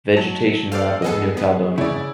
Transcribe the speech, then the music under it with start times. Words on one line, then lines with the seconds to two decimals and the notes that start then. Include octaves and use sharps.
Vegetation map of New Caledonia.
0.17 F#3 A5
0.72 A4 C5 D5 F5
1.02 E2 B3 G#4 A4 D#5
1.37 B3
1.78 C#3 E4 D5